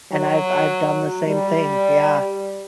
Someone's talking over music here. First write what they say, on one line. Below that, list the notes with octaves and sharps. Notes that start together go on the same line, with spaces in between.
and I've I've done the same thing, yeah.
F#3
G3